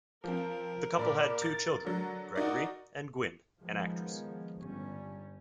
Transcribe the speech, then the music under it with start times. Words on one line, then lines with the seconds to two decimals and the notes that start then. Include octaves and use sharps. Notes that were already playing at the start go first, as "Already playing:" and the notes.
The couple had two children, Gregory and Gwynne, an actress.
0.24 F3 C4 A#4
0.98 A#2 D5 B5
1.42 A6
1.85 D3 F#3
2.36 D#4 F#4 A#4 D5
3.60 D#3 F3 G#3 B3
4.58 G1 G3 C#4